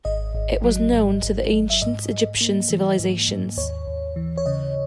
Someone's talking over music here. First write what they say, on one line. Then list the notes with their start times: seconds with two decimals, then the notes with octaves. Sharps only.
It was known to the Ancient Egyptian civilizations.
0.05 G#1 D#5
0.35 G#1
0.64 F#3
0.93 G#2
1.22 G#1
1.53 G#1
1.70 E5
1.82 G#2 D#5
2.11 G#2
2.41 A#3
2.70 E3
2.99 G#2
3.28 G#2
3.57 D#2 C#5
3.87 D#2
4.16 E3
4.37 C#5
4.46 C#3 D#5